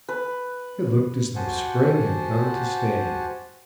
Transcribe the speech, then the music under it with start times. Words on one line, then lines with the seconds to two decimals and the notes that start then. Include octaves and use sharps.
It looked as though spring had come to stay.
0.09 B4
1.36 F#4 G4 C5 F#5 G#5 A5